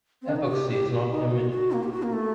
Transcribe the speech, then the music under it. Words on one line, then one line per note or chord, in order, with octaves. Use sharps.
Epoxy is not permitted.
C4
D4
D#4
F#4
G4
G4
F#4
D#4
F#4
F#4
A#3
G4
F#4
A#3
A3